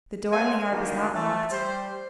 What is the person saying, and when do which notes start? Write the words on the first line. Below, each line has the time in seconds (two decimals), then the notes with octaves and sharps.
The door in the yard was not locked.
0.32 A#3 B3 C#5 G#5 C6
0.72 D3 D#3 F#3 G3 A#3 D4
1.15 A3
1.51 G3 C5